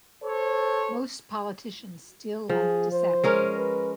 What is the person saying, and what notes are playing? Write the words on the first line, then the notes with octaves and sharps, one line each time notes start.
Most politicians still like DeSapio.
A4 C5 C#5
F3 G#4
C5
G#3 C#4 A#4
B4